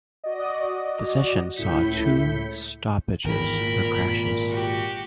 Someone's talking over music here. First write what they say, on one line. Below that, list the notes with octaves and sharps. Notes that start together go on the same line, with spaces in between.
The session saw two stoppages for crashes.
F#4 D5 D#5
C#2 A2 E4 G6 B6 C#7
G#1 E2 A#4 B5
A#2
F#4 G4